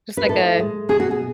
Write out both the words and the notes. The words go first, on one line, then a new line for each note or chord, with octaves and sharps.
Just like a
B4
A2 A4
G#3
B2 G#4
F#4
G#4